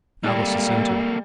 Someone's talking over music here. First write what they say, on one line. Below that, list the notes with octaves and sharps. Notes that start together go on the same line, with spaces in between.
Alice assented.
G3 A#3 A4